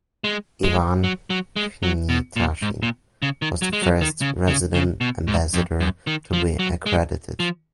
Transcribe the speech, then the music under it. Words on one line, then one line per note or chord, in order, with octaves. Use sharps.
Ivan Hnatyshyn was the first resident ambassador to be accredited.
G#3
G#3
F#3
F#3
G#3
F#3
B2
A#2
G#2
A#2
C#3
D#3
F#3
G#3
F#3
D#3
C#3
C#3
C#3
B2
G#2
F2
F#2
D#3
F3
F#3
G#3
F3